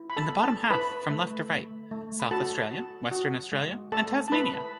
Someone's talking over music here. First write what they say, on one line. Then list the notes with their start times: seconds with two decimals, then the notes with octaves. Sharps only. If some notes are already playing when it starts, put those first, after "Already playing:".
In the bottom half, from left to right: South Australia, Western Australia, and Tasmania.
Already playing: E4
0.10 B5
0.17 A4 A5
0.30 B3
0.43 A4 A5
0.70 E4 B4 B5
1.10 A3
1.50 A3
1.91 A3
2.20 B5
2.31 F#4 A4 A5
2.71 F#4
3.11 F#4
3.52 G#3
3.92 A3 A4 A5
4.28 A5
4.32 E4 B4 B5